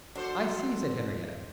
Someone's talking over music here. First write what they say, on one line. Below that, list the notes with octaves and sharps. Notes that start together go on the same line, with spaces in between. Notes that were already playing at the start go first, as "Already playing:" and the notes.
"I see," said Henriette.
D4 F#4 A4 C5